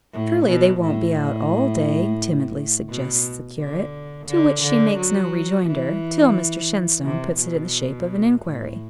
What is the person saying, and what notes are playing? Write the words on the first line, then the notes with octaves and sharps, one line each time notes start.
"Surely, they won't be out all day," timidly suggests the curate; to which she makes no rejoinder, till Mr Shenstone puts it in the shape of an inquiry.
A2
B2
A2
B2
D3
D3
D3
F#3
E3
C3
B2
A2